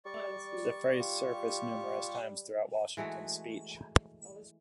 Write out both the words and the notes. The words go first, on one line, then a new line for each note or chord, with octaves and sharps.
This phrase surfaced numerous times throughout Washington's speech.
G3 D5 C#6
F4 G4 C#6
E3 G#3 A3 F#4